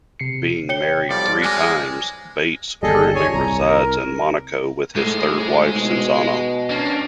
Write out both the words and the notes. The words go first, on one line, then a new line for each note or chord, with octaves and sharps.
Being married three times, Bates currently resides in Monaco with his third wife, Suzannah.
C3 C7 C#7
C#5 G5 C#7 G7
B1 F3 G3 D5
G#3 G#5 D6 F6 F#6 A#6
G1 D#2 G3 G#4 A4 D#5
C#5 G#5
C2 A#5
A#4
G#2 G#3 A3
B2
A#3 C#4 D4